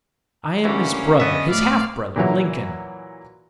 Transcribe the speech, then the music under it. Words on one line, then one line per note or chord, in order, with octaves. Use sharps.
I am his brother--his half-brother, Lincoln.
D2 E3 A#3 C#4 G4
D3 B3 D#5 E5
A2 A3 D5 F5
A#2 E3 F#3